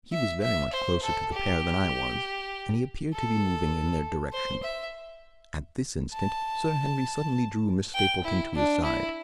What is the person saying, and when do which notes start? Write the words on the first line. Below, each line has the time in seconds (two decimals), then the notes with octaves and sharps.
He was very much closer to the pair than I was, and he appeared to be moving in their direction. At this instant Sir Henry suddenly drew Miss Stapleton to his side.
0.12 E5
0.42 E5
0.73 C5
1.03 A4
1.33 G4
3.14 A4
4.33 C5
4.63 E5
6.14 A5
7.94 G5
8.24 E4
8.55 D4
8.85 E4